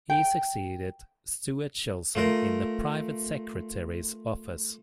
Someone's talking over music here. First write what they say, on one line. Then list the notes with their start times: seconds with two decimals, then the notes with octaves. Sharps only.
He succeeded Stuart Shilson in the Private Secretary's Office.
0.10 G5
2.15 A3 F4 A#4